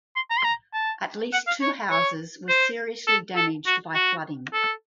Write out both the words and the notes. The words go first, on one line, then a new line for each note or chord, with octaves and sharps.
At least two houses were seriously damaged by flooding.
C6
A#5
C6
A#5
A5
F#5
F5
C#5
C#5
C5
A4
A4
F#4
F#4
A4